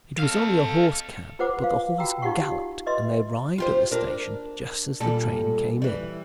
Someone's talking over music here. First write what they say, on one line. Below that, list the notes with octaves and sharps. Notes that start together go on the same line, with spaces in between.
It was only a horse-cab, but the horse galloped, and they arrived at the station just as the train came in.
A4 F5
F4 B4 C5 F#5 D6
F5
F#4 G5 A#5 E6
D#4 F4 G4 F5 F#5 C#6
B4 D#5 E5 C6
F4 G4 C5
D4 A#4
A#2 G3 A4
E3 G3